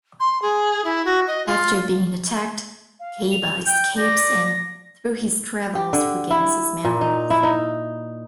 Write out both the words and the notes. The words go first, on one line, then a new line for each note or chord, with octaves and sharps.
After being attacked, Kaiba escapes and, through his travels, regains his memories.
C6
G#4
E4
F#4
D#5
F4
F5
F7
G5 G6
D5 A#6
G4
D3
E4
A#2
D#4
E4
D#4